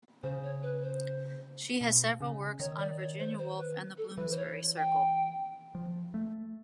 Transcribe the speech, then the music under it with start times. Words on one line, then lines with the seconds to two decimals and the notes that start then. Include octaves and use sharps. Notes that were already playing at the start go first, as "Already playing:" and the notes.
She has several works on Virginia Woolf and the Bloomsbury Circle.
0.23 C#3 C5
0.43 C#5
0.62 B4
0.82 C5
1.81 B2
2.20 C#3
2.60 D#3 C#5
2.79 D5
2.99 C#5
3.19 C5
3.38 C5
3.57 B4
3.97 A4
4.17 E3 B4
4.31 C5
4.37 C#5
4.77 G5
5.75 F3
6.14 A3